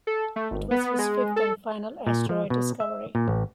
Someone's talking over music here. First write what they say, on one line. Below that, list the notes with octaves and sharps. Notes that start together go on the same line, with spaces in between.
It was his fifth and final asteroid discovery.
A4
A3
G#1
B3
G#3
A4
A#2
F3
B2
E5
A#2
A1